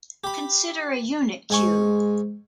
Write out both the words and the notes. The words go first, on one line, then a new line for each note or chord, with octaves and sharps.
Consider a unit cube.
G4 B5
G#2 G#3 G#5 C#6